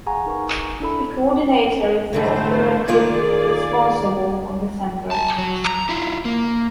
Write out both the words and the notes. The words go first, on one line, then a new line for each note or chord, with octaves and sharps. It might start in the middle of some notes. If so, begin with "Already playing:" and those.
The “coordinator” is the operative responsible of the Center.
G#4 F5 F#5 G#5 A#5 C#6
D#4 A#4 B4 C#6
D4 E4 A4 B5
G#2 D3 E3 G#3 A3 C5
D#3 A#3 F4 G#4 D5
G#5 A5
F#3
A#5
E4 F4
A#3